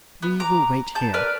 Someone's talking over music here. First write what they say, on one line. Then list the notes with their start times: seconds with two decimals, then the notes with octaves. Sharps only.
"We will wait here."
0.23 B3
0.40 A#5 D6
0.95 A5 G6
1.14 A#4 B4 D5 F6